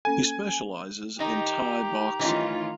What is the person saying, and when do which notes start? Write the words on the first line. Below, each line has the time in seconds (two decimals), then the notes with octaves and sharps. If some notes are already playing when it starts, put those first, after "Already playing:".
He specializes in Thai boxing.
0.05 A#3 C#4 A4 G#5
1.19 D#3 D#4 G4 A#5
2.19 D#3 E3 A3 C#4 D#4 F4